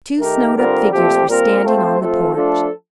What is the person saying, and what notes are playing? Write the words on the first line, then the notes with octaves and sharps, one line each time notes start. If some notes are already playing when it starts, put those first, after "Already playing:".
Two snowed-up figures were standing on the porch.
D#3 A3 D#4 G4 A#4
D3 G3 C4 F4 A#4
A#2 F3 A3 C4 G4
A#2 G3 C4 F4 A#4
A3 C4 F4 C5
F3 A3 C4 F4 A4
F3 A3 D4 F4 A4